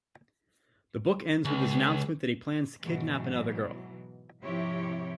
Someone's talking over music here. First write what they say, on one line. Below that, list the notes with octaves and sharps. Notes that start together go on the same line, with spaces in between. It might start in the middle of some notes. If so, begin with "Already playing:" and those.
The book ends with his announcement that he plans to kidnap another girl.
C#2
G#2 B2 E3 F#3
G#2 C3 F3 E4 G4 C#5